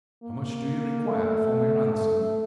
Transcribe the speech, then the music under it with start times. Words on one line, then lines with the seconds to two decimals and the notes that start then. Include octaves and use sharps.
"How much do you require for my ransom?"
0.23 A#3
1.08 A3
1.93 A3